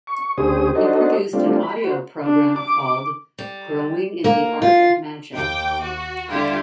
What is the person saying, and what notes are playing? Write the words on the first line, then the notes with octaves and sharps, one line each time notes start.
He produced an audio program called "Growing in the Art of Magic".
C#6
D2 C#4 G4 G#4 C5 D#6
D4 D#4 F#4 A4 C5 D#5
G3 A3 C4 D4 F4
B5
F#4 C5
D4
D6
G3
A#3
F4
D#2 G5 D6
F#4
D3 G3 E4 F4 G4